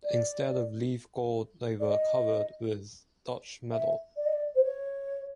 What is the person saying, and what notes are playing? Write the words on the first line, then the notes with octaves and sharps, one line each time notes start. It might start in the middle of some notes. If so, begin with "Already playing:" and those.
Instead of leaf gold they were covered with Dutch metal.
D5
D5
D#5
E5
D5
D#5
D5
C5
C#5